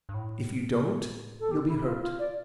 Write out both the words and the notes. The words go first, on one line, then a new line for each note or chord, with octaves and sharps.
If you don't you'll be hurt.
G2
A2
A4
G4
E4
F4
F4
D5